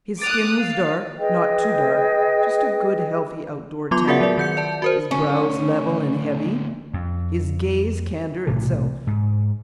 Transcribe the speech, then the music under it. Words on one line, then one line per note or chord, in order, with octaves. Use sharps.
His skin was dark--not too dark--just a good healthy out-door tan: his brows level and heavy, his gaze candour itself.
D6 D#6 F#6 A6 F7
F5
G#4 B4 D#5 G5
F#3 B3 F4 C6 D6 F7
F#4 G#4 A#4 D5 E5 F#5
F#3 D5
D#3 G6 C#7
D5 A5
F#4 A#4 C5
D2 A2 C#4
F2
B1 A2 C3 E3
G#2